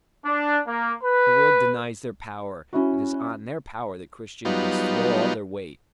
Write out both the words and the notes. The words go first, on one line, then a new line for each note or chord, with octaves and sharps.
The world denies their power: it is on their power that Christians must throw all their weight.
D4
A#3
B4
C#4 E4 F#4
F#3 G3 B3 D#4 F4